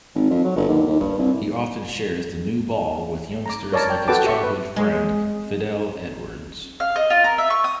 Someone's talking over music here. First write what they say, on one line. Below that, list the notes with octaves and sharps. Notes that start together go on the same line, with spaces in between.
He often shares the new ball with youngsters like his childhood friend Fidel Edwards.
G#1
F2
F#3
G1
D#2
D#2
G2
C2
A#5 D6
A#4 C#5 D5 A5 A#5
G5
F#4 A4 B4 G5 A5 D6
G4 E5 C#6
B4
G#3
F5
D#5
F4
A#4
E5
C#6
D#6